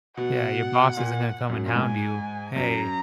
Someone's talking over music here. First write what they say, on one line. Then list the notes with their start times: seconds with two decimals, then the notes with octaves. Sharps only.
Yeah, your boss isn't gonna come and hound you, "Hey,
0.17 B2 F#5
0.97 A#2
1.50 F#2
1.66 A#2
1.76 G#2 G#5
2.56 F#2 A#5